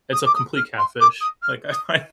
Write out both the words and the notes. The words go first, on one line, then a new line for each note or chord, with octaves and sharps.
it's a complete catfish. Like, I I
D#6
D6
D#6
F6
C6
D6
D#6
F6
D#6